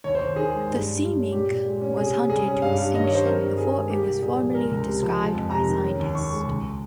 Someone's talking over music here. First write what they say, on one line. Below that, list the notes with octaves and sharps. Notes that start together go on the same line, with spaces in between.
The sea mink was hunted to extinction before it was formally described by scientists.
D#2 C#5
C5
D#2
D#3 G#4
G#3
G2
G2
G3
C#4
A#2 G4
A#2
G#3
C#4
C3 G#4
C3
G3 G#4
C#4
G2 F5
G2
D#3 D#5
C#5
G3 C5
C4 A#4
G2
D#3 G#4
G#3
A#3 G4
C2
A#2 G#4
F3
G#3 A#4
C#2
C3
F3
G#3
F2
C3 A#5
D#3
C#4
D#2
D#3 C#6
G#3
C#2